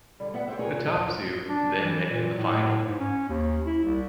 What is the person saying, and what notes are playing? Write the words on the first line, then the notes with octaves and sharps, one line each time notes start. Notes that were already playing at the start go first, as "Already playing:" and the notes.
The top two then met in the final.
D3 G3
B3 E5 F#5
G4 B4 C5 E5
C3 F4 G#4 A#4 C#5 D5
A#2
F3
D4
E3
A#2
A2
G#2
C#4
D#2
E4
C2